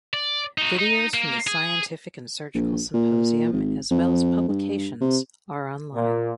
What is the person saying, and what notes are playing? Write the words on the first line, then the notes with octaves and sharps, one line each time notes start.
Videos from the scientific and surgical symposium as well as publications are online.
D5
D#4 F#4
D#4
A#3
G#4
A#1
A#2
G#1
F2
G2
C3
A#2